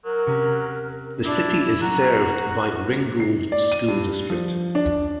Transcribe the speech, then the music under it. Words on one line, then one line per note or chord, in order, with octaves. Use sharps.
The City is served by Ringgold School District.
F#3 A#4
C3 C#4
D4 E4 D6 C7
F#3 F#4 A#5
C7
D5
D#7
G2
F3
D4